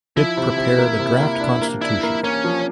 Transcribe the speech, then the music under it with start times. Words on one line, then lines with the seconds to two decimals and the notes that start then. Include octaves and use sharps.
It prepared a draft Constitution.
0.16 F3 E4
0.37 C3
0.58 C3
0.78 A#3
0.99 C3
1.20 A#3
1.40 D4
1.62 A#3
1.82 D4 E4
2.03 A#3
2.23 A#3 C#4
2.44 F3